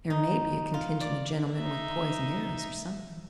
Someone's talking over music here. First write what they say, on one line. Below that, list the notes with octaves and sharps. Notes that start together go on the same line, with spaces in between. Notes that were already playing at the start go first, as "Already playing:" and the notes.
"There may be a contingent of gentlemen with poisoned arrows or something."
D#4
F4
D5
D#4 E5